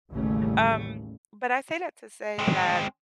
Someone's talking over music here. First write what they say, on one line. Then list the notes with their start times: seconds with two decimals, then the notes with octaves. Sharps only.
Um, but I say that to say that
0.11 A1 D#2 C#3 G3 A3 C#4
2.39 G#3 C4